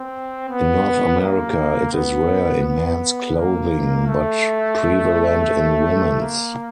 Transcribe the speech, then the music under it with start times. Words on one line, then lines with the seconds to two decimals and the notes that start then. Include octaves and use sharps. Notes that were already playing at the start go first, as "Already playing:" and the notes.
In North America it is rare in men's clothing, but prevalent in women's.
Already playing: C4
0.49 B3
1.21 A#3
1.93 B3
2.63 B3
3.35 A#3
4.07 A3
6.21 A#3